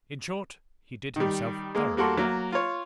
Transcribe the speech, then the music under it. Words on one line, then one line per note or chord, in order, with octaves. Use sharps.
In short, he did himself thoroughly well.
D#3 G3
G#3 A#3
G3 A#3 F#4 A4 C6
F#3 A#3
F4 C#5